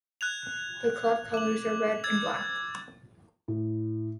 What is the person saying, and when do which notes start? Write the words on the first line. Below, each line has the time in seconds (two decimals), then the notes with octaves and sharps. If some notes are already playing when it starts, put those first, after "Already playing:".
The club colours are red and black.
0.21 F#6 G#6 F7
1.34 D6 F#7
2.04 E6 G#6 A6
3.48 A2